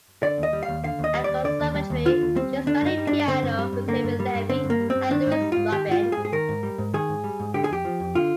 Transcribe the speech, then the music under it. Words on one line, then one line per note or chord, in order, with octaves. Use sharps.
At the Conservatory, she studied piano with Heniot Levy and Louise Robyn.
D3 D5
D#2
D#5
G3
F5
D#2
D3 F5
D#2
D#5
G3
D#2 D5
D3 D5
D#2
G3
D#2
D3 F4
D#2
G3 C4
D#2
D3 D4
G2 D#4
G3
G2 D4
D3 C4
G2
G3
G2
D3 A#3
G2
G3
G2
D3 C4
G2
A#3
G3
G2 C4
D#3 D4
G#2
D#4
G3
G#2 F4
D#3 G4
G#2 F4
G3
G#4
G#2
G#4
D#3 A#4
G#2
G3
G#2
D#3 G#4
G#2
G3
G#2
D3 G4
G#4
F2 G4
F3
F2
D3 F4